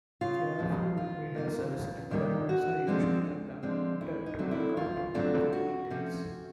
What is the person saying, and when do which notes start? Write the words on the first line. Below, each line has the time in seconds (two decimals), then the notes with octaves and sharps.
Careful rehearsals and "dry runs" are usually conducted to work out problems and details.
0.21 C#3 F4
0.59 F3 G#3
0.97 E2 F4
1.34 C3 D#3 G3 A#3
1.72 E2
2.10 C3 D#3 G3 A#3
2.49 D2 F#4
2.87 D3 F3 G#3 C4
3.25 D2
3.62 D3 F3 G#3 C4
4.01 D2 E4
4.26 D#4
4.39 D3 F#3 A3 C4
4.51 E4
4.77 D2 F4
5.14 D3 F#3 A3 C4
5.52 D2 F#4
5.90 C3 F3 A3 C#4